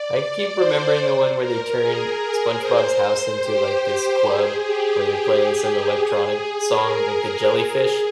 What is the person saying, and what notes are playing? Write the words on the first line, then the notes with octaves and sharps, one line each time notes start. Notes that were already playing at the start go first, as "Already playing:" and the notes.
I keep remembering the one where they turned SpongeBob's house into, like, this club, where they're playing some electronic song, like, the jellyfish
Already playing: D5
D5
C5
A#4
G#4
C5
G4
G4
G#4
G4
G#4
G#4
A#4
G#4